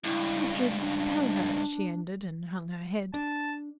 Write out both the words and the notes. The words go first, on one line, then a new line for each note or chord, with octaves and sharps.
"Ughtred--tell her," she ended, and hung her head.
C#2 G2 E4
D4
D4 A5